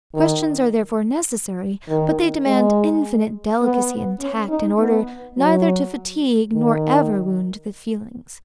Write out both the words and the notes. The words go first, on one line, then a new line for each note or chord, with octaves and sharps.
Questions are therefore necessary, but they demand infinite delicacy and tact, in order neither to fatigue nor ever wound the feelings.
D#3
D#3
G#3
B3
C#4
D#4
B3
F#3
D#3